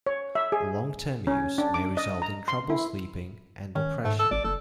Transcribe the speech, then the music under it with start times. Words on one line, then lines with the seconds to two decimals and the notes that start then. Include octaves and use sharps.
Long term use may result in trouble sleeping and depression.
0.06 C#5
0.35 E5
0.52 G#4
1.27 C#4
1.58 D4
1.74 D6
1.97 D#5
2.22 A#5
2.48 C6
2.70 E4
3.75 D#3 C#4
4.04 G#2 A3
4.19 A4
4.31 G#1 D5
4.44 F#1 A4